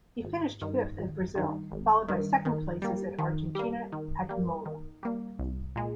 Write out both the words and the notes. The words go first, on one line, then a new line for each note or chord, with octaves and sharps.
He finished fifth at Brazil, followed by second places at Argentina at Imola.
G#1
G2 D#3
G#1
G2 D#3
G#1
G2 D#3
D#3
G3 A#3
D#3
G3 A#3
D#3
G3 A#3
D#3
G3 A#3
C2
A#2 G#3